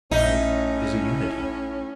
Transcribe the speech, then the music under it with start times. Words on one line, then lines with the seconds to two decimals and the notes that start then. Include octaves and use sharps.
Life is a unity.
0.11 A#1 A2 C#4 D#4 E5